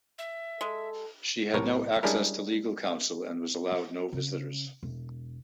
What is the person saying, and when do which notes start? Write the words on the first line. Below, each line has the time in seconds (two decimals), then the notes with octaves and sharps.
She had no access to legal counsel and was allowed no visitors.
0.19 E5
0.61 G#3 A4
1.54 B1 A2 C3 A#4 C#5
2.03 G3 G#3 C#4 D4 E4 A#4
4.13 C#3
4.83 E1